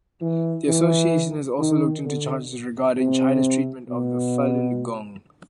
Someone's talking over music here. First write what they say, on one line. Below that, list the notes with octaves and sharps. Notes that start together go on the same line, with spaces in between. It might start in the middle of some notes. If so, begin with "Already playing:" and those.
The association has also looked into charges regarding China's treatment of the Falun Gong.
E3
E3
D#3
D3
C3
B2